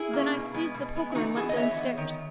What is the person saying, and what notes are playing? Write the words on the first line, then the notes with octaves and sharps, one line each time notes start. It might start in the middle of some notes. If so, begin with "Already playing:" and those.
Then I seized the poker and went downstairs.
Already playing: E4 G#4
A#3 C#4
B2
G#3 B3
B2
G#3 B3
E4
E3 D#4 F#4
B3 E4 G#4
D#5
E3 C#5 E5
B3
D#3